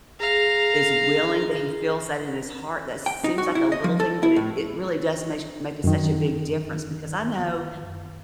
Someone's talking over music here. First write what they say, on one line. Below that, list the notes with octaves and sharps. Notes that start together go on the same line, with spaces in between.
is willing, that he feels that in his heart, that seems like a little thing, but it it really does meish make a such a big difference because I know
G#4 F5 A#5
G5
D#4
F#4
E4
D#5
F3
A4
E4
A2
F#2 D#3